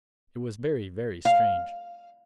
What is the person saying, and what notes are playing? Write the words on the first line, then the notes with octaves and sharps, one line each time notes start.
It was very, very strange.
F5